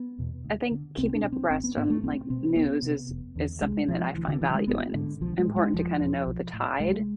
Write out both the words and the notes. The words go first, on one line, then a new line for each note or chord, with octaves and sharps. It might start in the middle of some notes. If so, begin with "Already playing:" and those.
I think, keeping up abreast on, like, news is is something that I find value in. It's important to, kinda, know the tide,
Already playing: B3
E2 B2
D2
D3
C2 C4
D4
B2
C4
G#1 C4
B3
G#2 B3
A3
B1 C4
B2 C4
C2 B3
C3
F1
E2 D3
C2 G#3
B2 F3
D2 E3
D3
C3 E3
F3
G#3
G#1 B3
G#2 D3
B1 F3
G#3
A2
G#3
E1 F3
E2 B2
B1
A2
C2 G#3